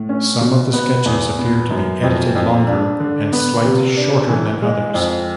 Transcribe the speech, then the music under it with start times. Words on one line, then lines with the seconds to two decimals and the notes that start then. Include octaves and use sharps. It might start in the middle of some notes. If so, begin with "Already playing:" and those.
Some of the sketches appear to be edited longer and slight shorter than others.
Already playing: A2
0.09 C#4
0.41 B2
0.73 B3
1.06 E2
1.39 B3
1.71 F#2
2.03 F2
2.35 F2
2.67 D4
3.00 D3
3.33 B3
3.65 C3
3.97 D4
4.29 E3
4.62 G#3
4.94 F2